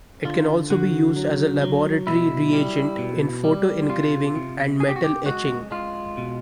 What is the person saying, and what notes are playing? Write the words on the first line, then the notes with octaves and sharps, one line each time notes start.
It can also be used as a laboratory reagent in photoengraving and metal etching.
D3 F4
D3 F#4
F#3
F#3
B2 E4
G3
B2
G3
C3 F4
C3
C3 G#4
G4
F#4
G4
G#3 F#4
G#3 F4
B2